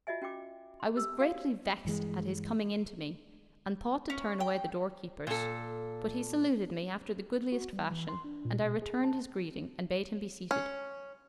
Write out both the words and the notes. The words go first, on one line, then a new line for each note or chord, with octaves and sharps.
I was greatly vexed at his coming in to me and thought to turn away the doorkeepers; but he saluted me after the goodliest fashion and I returned his greeting and bade him be seated.
F4 F#4 D#5 E5 G#5
C#4 F#4 G5 D6
C6
G4 E6
D4 F#4 F5 D#6
G2 E3 G#3
C#4
G5
A#2 A4
F#4
G3
E3
C6
D4
A#2
B2
G#4
A5
C#4